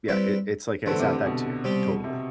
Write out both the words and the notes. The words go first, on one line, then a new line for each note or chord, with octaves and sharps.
yeah, it it's like it's at that tier, totally,
G3 C4 E4 B4 D5
D3 E3 A3 C4 E4
C3
C3
B2
C3 G3 C4 G4 D5
C3